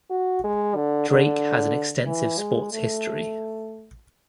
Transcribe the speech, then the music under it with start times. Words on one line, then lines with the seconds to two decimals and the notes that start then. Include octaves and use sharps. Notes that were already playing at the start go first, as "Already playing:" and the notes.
Drake has an extensive sports history.
0.10 F#4
0.44 G#3
0.75 D3
1.09 D3
2.06 E3
2.38 G#3
2.72 A3